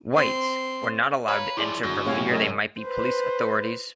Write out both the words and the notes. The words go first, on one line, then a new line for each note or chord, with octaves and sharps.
"Whites" were not allowed to enter for fear they might be police authorities.
C4 C6
B4 C#5 F5 A#5
G2 F3 E4 G#4 D5
G1 F#2 F#3 A#6
A2 C3 G#4 C#5 F5
A#4 C#5 D#5
B4 C5